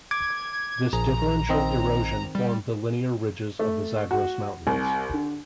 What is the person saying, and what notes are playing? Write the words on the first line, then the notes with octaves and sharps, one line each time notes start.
This differential erosion formed the linear ridges of the Zagros Mountains.
D6 G#6
A#1 G#4 A#5
D#3 C4 D#5
G3
A3
F#4
C2
D3